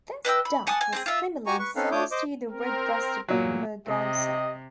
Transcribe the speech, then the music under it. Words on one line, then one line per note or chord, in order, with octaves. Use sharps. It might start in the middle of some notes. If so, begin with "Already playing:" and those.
This duck was similar in size to the red-breasted merganser.
B4 D#5 G5 E6
B5
F#5 G#5 A5 D#6
G#5
C4 D#4 G#4
F4 E5
F#4 G4 G#5 A#5 C#6
B4 C#6
C4 C#4 D#4 A4 B4 F5
A3 D4 C#5 D6 D#6 G6
C5 D#5 D6
C4 A#4
E2 G2 A#2 F#3
C3 G4 D#5